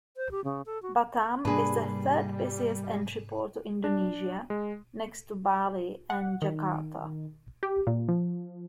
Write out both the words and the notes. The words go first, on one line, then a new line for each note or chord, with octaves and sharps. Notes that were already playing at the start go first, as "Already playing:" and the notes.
Batam is the third busiest entry port to Indonesia next to Bali and Jakarta.
C5
G4
C#3
A4
F#4
G#2 C3 G3 A#3 D4 G#4 B4
D4
G#3
F#5
D#3
G4
A#2
F3